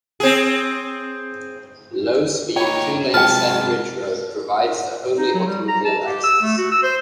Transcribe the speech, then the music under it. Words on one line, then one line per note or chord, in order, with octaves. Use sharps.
Low speed, two-lane Sandbridge Road provides the only automobile access.
C4 G#4
D#4 G4 C#5 G5 B5
C3 G#3 F4 B4 G5 A5 F6
D#4
F#3
G3
A#5
A5
G4
E6
A3
F#4
E6
C5